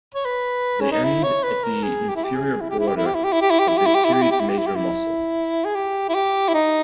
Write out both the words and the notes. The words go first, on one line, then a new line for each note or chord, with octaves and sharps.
They end at the inferior border of the teres major muscle.
C#5
B4
C#4
D#4
E4
C#5
B4
A#4
G#4
G4
E4
G4
G#4
E4
G4
E4
G4
E4
G4
E4
G4
E4
G4
E4
G4
E4
G4
E4
G4
E4
G4
E4
G4
E4
G4
E4
G4
E4
G#4
G4
E4
G4
E4
D#4